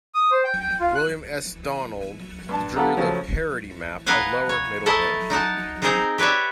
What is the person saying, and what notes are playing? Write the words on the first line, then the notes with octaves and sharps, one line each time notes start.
William S. Donnell drew the "parody map" of Lower Middle Earth.
D#6
C5
G5
G5
F4
F#6
G2 A5
B3 F4 G4 A4 F#5 A#5
C#3 F3 F#3 A3 C#4
A#4 B4 D#5 F5 F#5 G#5
C#5
A3 E4 A4 A#4 D#5 A5
D#4 A#4 F#5 A5
C4 D#4 G#4 A#4 C5 A#5
G4 B4 C#5 D5 E5